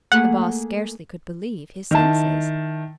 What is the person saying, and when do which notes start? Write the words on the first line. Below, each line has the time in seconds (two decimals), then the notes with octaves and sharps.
The Boss scarcely could believe his senses.
0.12 A3 A#3 G#4 F#5
1.91 D#3 E4 A5